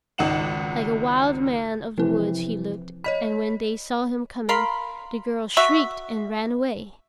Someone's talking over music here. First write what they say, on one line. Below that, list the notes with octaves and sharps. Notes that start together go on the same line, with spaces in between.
Like a wild man of the woods he looked, and when they saw him coming the girls shrieked and ran away.
G#1 C#2 D#4 F#5 E7 F#7
C3 E3 F3 E4
C#5 D#5 B5 B6
A#4 F5 B5 C6
F#4 E5